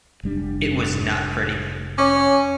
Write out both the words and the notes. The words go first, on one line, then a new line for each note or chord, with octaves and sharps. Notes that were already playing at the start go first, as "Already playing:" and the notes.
It was not pretty.
F1 G3 D4
C#4 C#5 C#6 D6